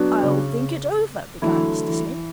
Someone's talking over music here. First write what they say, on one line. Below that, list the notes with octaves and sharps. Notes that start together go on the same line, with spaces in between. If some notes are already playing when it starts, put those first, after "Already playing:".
'I'll think it over--' began Mr Smith.
Already playing: F#3 B3 D4 F#4
C#3
D3 E3 F#3 A3 E4
E3